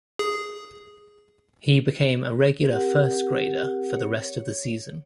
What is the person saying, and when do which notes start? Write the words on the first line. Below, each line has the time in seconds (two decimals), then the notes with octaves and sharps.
He became a regular first-grader for the rest of the season.
0.19 G#4
2.67 C4 G4 A#4 F#5
3.97 C#5